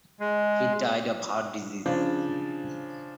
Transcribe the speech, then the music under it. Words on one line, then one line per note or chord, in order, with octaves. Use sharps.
He died of heart disease.
G#3
C#3 F3 D4